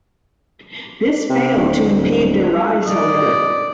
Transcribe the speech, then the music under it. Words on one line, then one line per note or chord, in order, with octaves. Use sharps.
This failed to impede their rise however.
C3
D1
D5 D#5